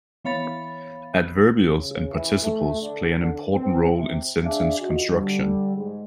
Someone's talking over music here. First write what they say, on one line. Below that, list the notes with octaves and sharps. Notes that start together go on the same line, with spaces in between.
Adverbials and participles play an important role in sentence construction.
E3 B3 C#5 F5 B5 A6
C#3
E3
A3
D3
D3
C4
C3
D4 G#4 E5 F5
D3 F4 F#4 D#5
D3 G3
G#2 G#3